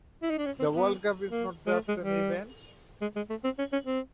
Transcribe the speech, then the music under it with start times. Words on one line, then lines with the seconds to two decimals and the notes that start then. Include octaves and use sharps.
The World Cup is not just an event.
0.22 E4
0.30 D#4
0.38 D4
0.46 C#4
0.60 C4
0.74 B3
1.31 A#3
1.66 G#3
1.74 A3
1.88 G#3
2.03 G3
3.02 G#3
3.16 G#3
3.30 A3
3.44 C4
3.59 C#4
3.73 C#4
3.87 C4